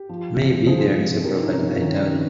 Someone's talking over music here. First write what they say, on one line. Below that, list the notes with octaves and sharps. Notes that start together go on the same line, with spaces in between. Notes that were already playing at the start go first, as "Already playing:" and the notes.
Maybe they're inseparable, but I doubt it.
Already playing: G4
F3
C3
F3 G#4 C5
C3
F3 G4 A#4
D#4 G4
C#4
C3 D#4
C#4 F4
D#3 C#4
D#4
C3